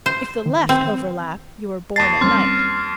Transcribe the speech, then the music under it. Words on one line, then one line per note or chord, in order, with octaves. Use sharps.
If the left overlap, you were born at night.
C5
D#3
C4
D#2 A5 A6 C7
G3 C4 C#4 C6 F6